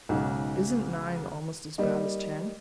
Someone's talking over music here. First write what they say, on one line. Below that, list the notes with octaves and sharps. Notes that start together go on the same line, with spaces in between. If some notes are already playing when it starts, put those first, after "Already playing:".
Isn't nine almost as bad as ten?
B1 G#2 C#3
G3 A#3 D#4